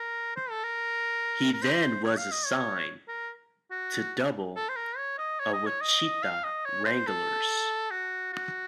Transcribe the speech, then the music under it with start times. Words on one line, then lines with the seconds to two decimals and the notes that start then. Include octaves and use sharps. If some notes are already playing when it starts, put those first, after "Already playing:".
He then was assigned to Double-A Wichita Wranglers.
Already playing: A#4
0.36 C5
0.50 A4
0.64 A#4
1.53 A#4
1.62 C5
2.04 C#5
2.17 F5
2.32 D#5
2.46 C#5
3.08 A#4
3.71 F#4
4.56 A4
4.69 C5
4.76 A#4
4.97 C#5
5.19 D#5
5.40 C#5
5.53 D#5
5.67 C#5
5.81 D#5
6.23 F5
6.44 D#5
6.66 C#5
6.86 C5
7.07 A4
7.91 F#4
8.33 F#4